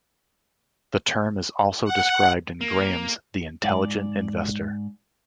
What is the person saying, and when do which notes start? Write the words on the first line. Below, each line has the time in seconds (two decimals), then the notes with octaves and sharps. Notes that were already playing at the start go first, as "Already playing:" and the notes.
The term is also described in Graham's "The Intelligent Investor".
1.84 F#5
2.61 A#3
3.64 G#2 D5